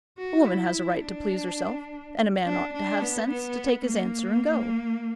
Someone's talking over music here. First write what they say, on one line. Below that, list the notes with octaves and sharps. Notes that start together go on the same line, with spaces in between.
A woman has a right to please herself, and a man ought to have sense to take his answer and go.
F#4
E4
D4
D4
D4
B3
B3
A#3